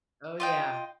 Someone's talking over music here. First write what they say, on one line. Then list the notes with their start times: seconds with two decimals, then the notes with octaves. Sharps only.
Oh, yeah.
0.40 F4 D#5 G5